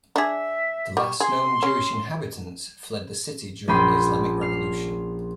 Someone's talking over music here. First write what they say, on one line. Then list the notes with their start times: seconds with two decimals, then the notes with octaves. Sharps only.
The last known Jewish inhabitants fled the city during the Islamic Revolution.
0.16 D4 G#4 E5
0.97 G3 C#6
1.20 G#4 C6
1.63 C#4
3.68 A#1 A#3 C#4 G5 B5 C6
4.41 F6 C7